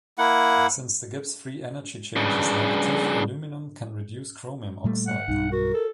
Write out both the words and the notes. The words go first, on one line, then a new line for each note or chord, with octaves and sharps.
Since the Gibbs free energy change is negative, aluminium can reduce chromium oxide.
A#3 E4 F#5
G2 C#3
A#2 G3 A3
F#5
B1 G2 D#4
F#4 A#4
A4